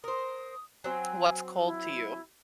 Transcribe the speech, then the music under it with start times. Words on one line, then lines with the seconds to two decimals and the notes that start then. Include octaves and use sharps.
What's cold to you?
0.04 A#4 C5 D#6
0.84 F#3 C4 G#5
1.64 E4